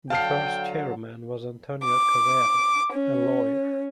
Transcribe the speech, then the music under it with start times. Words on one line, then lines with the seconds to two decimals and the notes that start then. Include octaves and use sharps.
The first chairman was Antonio Caveri, a lawyer.
0.10 D3 F#3 F5 G5 A5 F6 C7
1.84 D6
2.93 C#4